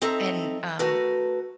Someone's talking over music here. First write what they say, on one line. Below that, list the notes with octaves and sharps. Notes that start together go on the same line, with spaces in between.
And, um,
C4 D#4 A4 E5 A#5
A3 F#4 A#4 B4